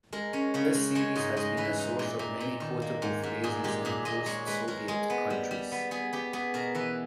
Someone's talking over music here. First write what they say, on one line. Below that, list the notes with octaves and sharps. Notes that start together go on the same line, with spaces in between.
The series has been a source of many quotable phrases in post-Soviet countries.
G#3 A#4
C#4 C#5
C#3 C#5
G#3
G#3 C#5
G#2 D#5
G#3 D#5
E3 B4
D#4
A#2
A#2
A#2
D#3
A#3
G#2
G#2
A#2 G#4
G#3 G4
A#2 G#4
A#2 D#5
G#3 C#5
G#3 B4
G#3 A#4
G#3 G#4
B3
G3
G3
B3
B3 G#4
B3 G4
B3 G#4
B2 A#4
E3 B4